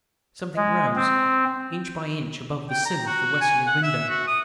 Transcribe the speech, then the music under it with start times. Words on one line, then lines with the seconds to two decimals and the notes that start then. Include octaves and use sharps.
Something rose, inch by inch, above the sill of the westerly window.
0.56 G#3
0.96 C4
2.70 G5
2.85 A#5
3.07 F#4
3.41 G#5
3.66 F#5
3.83 E5
4.09 F#4
4.27 D#6